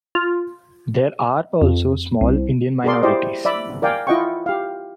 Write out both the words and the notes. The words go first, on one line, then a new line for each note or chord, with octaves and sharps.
There are also small Indian minorities.
F4
F2
C2
F#4 G#4 A#4 D5 C6
E4 G4 C5 D5 D#5
D5 E5 B5
A#4 D5 F5 G5 G#5
E4 F4 D#5 F#5 G5 C#6
G4 F5